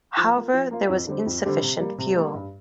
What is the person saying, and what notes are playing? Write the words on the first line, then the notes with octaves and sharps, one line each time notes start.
However, there was insufficient fuel.
F3
A#3 F4
F3
A#3 F4
F2
D3 G3 C4 G4
F2
D3 G3 C4 G4
C3
G3 A#3
C3
G3 A#3
G2